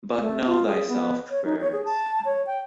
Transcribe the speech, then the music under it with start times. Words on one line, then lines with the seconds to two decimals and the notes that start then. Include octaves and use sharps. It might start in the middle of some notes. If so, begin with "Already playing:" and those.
But know thyself first.
0.21 A3
0.46 F4
0.66 G#4
0.88 B3
1.30 C#5
1.45 D#4
1.61 C#5
1.72 G#4
1.85 A5
2.25 C#5
2.47 G5